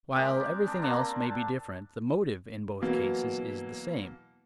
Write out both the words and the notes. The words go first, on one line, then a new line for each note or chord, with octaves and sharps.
While everything else may be different the motive in both cases is the same.
G#3 C4 G4 A#4
D5
D4 A#5
A#3 C4 D4
A5
B2 E3 F#3 A#3